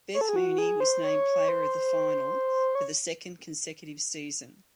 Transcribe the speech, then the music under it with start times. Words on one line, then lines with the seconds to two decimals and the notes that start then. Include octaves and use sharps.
Beth Mooney was named Player of the Final for the second consecutive season.
0.14 C#5
0.21 A4
0.29 G#4
0.36 F#4
0.58 G#4
0.80 C5
1.04 C#5
1.48 C5
2.75 C#5